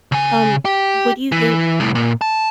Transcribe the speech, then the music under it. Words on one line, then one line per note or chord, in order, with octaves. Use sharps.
Um, what do you think,
C#3 G#5
G4
E3
C2 A2
A#2
A5